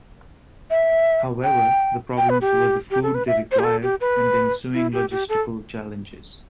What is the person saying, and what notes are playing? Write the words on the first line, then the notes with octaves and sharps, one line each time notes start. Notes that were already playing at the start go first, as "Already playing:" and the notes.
However, the problems were the food they required and the ensuing logistical challenges.
E5
G5
G5
B4
G4
G4
A4
B4
E5
C5
G4
A4
G4
B4
E4
G4
G4
A4